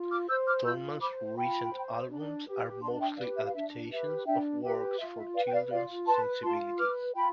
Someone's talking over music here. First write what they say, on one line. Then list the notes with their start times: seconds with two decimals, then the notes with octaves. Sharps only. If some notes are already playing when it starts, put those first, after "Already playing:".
Tallman's recent albums are mostly adaptations of works for children's sensibilities.
Already playing: F4
0.11 D6 F6
0.29 C5 E6 G6
0.47 D6 F6
0.65 F4 E6 G6
1.01 C5 B5 D6
1.37 F4 G5 B5
1.73 C5
2.10 D4
2.46 G4 B4
2.82 D4 A5 C6
2.93 A5
3.00 E5 G5
3.18 G4 B4 D5 F5
3.37 E5
3.45 F5
3.54 D4 E5
3.91 G4 B4 E5
4.26 D4 E5 G5
4.62 G4 B4 E5 G5
4.99 F4 E5
5.17 E5
5.35 B4 D5 F5
5.47 G5
5.53 D5 F5
5.70 F4 D5 F5
6.07 B4 A5 C6
6.43 F4 A5 C6
6.79 B4 D6 F6
7.15 F4 G5 B5